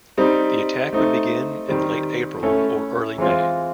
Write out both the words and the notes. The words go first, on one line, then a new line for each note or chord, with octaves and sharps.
The attack would begin in late April or early May.
G3 C4 D#4
A3 C4 D#4
D#3 G3 C4
A3 C#4 E4 A4
E3 G#3 C4 F4